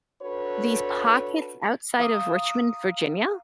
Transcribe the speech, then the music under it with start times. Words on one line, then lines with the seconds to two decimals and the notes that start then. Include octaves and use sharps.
these pockets outside of Richmond, Virginia,
0.22 D4 F#4 A4 B4 C#5
1.99 F5 A#5 D6 D#6